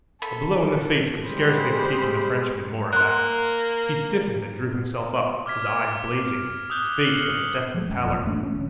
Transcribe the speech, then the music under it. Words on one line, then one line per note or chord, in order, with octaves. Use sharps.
A blow in the face could scarcely have taken the Frenchman more aback. He stiffened, and drew himself up, his eyes blazing, his face of a deathly pallor.
A4 B5
G3 G#3 G#4 C5 B5
A#3 C6 F#6
D6 F6 G#6 B6
D#6 E6 F#6 G6 G7
F6 C7 C#7 F#7 G7
F3 F#3 G#3 A3
F#2
F1 A#2 F3
A1 A3 C4 D4
A3 C#4
D1 C#4